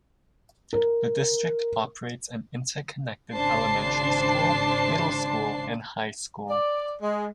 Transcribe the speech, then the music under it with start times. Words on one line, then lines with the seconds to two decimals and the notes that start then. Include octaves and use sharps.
The district operates an interconnected elementary school, middle school, and high school.
0.73 A#4
3.34 G#1 C#3 D4 C5 A5 C7
6.49 D5
7.01 G#3